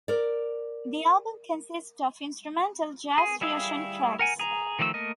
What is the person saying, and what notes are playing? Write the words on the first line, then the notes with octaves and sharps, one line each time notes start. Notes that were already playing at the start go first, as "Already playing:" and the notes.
The album consists of instrumental jazz-fusion tracks.
A#4 D5
G#4
G3 E4 G#4 F5 E6
A#4 F#5 G#5
G#4 A#5
D#3 F3 A3 D5 E6
A3 A#3 A#4 D#5